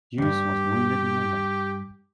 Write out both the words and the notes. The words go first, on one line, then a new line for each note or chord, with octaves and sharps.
Hughes was wounded in the leg.
D2 G2 G4